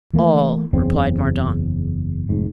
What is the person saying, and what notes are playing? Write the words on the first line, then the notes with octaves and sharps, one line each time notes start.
"All," replied Mordaunt.
E3 A3 A#3
F#1 E2 C#3 C4
F1 G#2